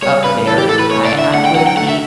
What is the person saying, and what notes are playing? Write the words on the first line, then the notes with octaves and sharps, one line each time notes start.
up there. I I would eat
G3 C#5
C#3 B4
E3 A4
G4
A2 A4
B4
A3 C#5
D5
D3
E5
A3 F#5
G5
F#3 F#5
G5
A3 F#5
E5